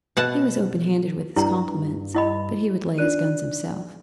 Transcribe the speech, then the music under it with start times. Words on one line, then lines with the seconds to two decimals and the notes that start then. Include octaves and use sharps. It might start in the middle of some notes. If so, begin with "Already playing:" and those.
He was open-handed with his compliments, but he would lay his guns himself.
0.17 B2 F#5 A5
1.36 G2 E4 A#5
2.15 E4 D#5 B5
2.98 D4 D#4 F4 D5 F#6 D#7